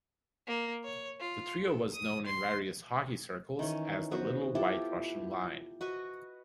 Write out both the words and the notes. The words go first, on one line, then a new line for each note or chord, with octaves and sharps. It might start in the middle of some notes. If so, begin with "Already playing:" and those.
The trio was known in various hockey circles as the "Little White Russian" line.
A#3
C#5
F4
A4
D#6
C6
D#3 E3 C#4
B3 F#4 C5
E4 F4 G4 A4
F#4 B4 D#5 C#6